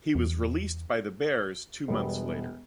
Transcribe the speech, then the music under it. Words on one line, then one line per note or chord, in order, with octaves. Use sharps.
He was released by the Bears two months later.
E2
E1 G3 B3